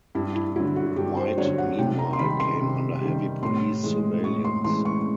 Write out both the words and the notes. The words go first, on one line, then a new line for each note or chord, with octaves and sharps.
White meanwhile came under heavy police surveillance.
G2 E4
E4
D3 F#3 E4
F#4
G2 G4
C5
D3 F#3 C#5
F#5
C3 G5
A#5
C6
D#3 G3 B5
C6
C3
D#3 G3
A2 C6
E3 G#3
A2 C#6
C6
E3 G#3 C6
C#6